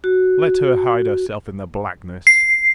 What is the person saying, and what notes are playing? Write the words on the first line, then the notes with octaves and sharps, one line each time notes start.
Let her hide herself in the blackness.
F#4
C7